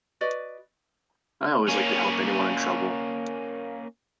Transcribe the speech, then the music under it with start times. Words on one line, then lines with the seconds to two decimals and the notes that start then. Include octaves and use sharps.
I always like to help anyone in trouble.
0.21 F#4 B4 D5 D#5
1.68 A#3 C#4